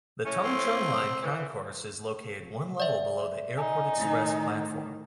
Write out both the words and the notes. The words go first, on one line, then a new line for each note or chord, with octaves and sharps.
The Tung Chung Line concourse is located one level below the Airport Express platform.
A2 A3 C#4
C4
E3
D5 E5
D#4 G#5
A2 D#3